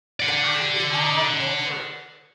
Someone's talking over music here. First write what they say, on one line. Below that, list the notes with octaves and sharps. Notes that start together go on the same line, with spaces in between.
I'd be all over it.
D5 F#5